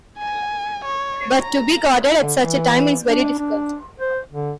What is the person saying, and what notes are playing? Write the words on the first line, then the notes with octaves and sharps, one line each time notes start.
But to be guarded at such a time is very difficult.
G#5
C#5
A#5
D3
E3
D4
D4
C5
D3